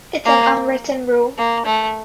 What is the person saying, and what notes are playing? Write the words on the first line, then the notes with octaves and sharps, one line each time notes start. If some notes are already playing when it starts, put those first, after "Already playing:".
It's an unwritten rule.
A#3
A#3
A3